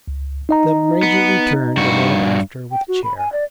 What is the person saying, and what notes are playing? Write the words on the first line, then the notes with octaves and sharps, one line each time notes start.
The Major returned a moment after with a chair.
C#2
D#4 D#5 A#5
B3
G2 F#4
G5
F#4
B5
G#5
D5